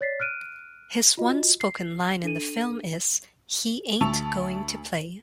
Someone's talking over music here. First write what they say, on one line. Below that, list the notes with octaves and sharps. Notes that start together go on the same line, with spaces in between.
His one spoken line in the film is, He ain't going to play.
C#5 D5 A6 B6 C7
F6 F#6 D7 D#7
F4 F#4 D#5
C7
D4 A4 D#7
D2 A5 C#6 E6 F7